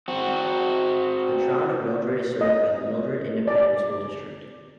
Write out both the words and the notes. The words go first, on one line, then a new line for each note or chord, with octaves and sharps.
The Town of Mildred is served by the Mildred Independent School District.
C4 F#4
D#5
D5